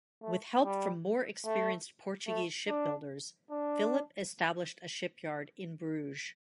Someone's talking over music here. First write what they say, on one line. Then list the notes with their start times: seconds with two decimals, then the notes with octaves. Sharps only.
With help from more experienced Portuguese shipbuilders, Philip established a shipyard in Bruges.
0.22 A3
0.64 G3
1.46 A3
2.28 A3
2.68 D4
3.51 D4